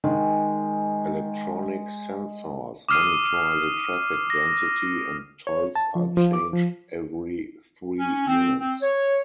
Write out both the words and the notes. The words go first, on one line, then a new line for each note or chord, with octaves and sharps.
Electronic sensors monitor the traffic density and tolls are changed every three minutes.
D#3 G#3
D6 D#6 F6 C7 D#7
A#6
C#5
A5
F3
F3
D6
F3
C#4
C4
C4
C#5